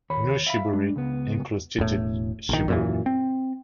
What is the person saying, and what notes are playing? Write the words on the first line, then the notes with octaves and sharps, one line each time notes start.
Nui shibori includes stitched shibori.
D#2 C#5 B5
E5 F5 B5
G#3 D4
C#2 B3
E1 A2
A#1 D#3
F#2 A#2 E3
C4